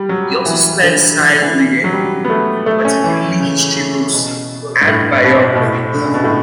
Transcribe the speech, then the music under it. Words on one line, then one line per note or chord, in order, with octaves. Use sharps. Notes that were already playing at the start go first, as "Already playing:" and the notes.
He also spends time reading, particularly history books and biographies.
Already playing: G3
F#3
E3
D3
E3
D3
E3
F#3
G3
B3
A3
A3
C#4
E3
C#3
C#3
B2
G2
A2
B2
B2
A2
D3
C#3
B2
A2